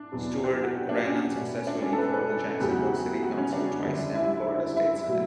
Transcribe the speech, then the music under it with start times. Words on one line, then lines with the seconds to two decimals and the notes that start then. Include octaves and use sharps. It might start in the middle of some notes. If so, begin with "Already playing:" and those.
Steward ran unsuccessfully for the Jacksonville City Council twice and Florida State Senate.
Already playing: D4
0.12 E2 B2 F#3
0.44 G4
0.54 G4
0.63 F#4
0.89 D4
1.05 C#4
1.36 B2 A3
1.67 D4
1.82 C#4
1.93 A4
1.98 B4
2.13 B4
2.30 A4
2.59 E2 C#3 F#3 A3 G4
2.71 F#4
2.80 G4
3.23 F#4
3.38 C#4
3.53 D4
3.83 F#2 D3 G3
4.15 E4
4.76 E4
5.07 B2 F#3 A3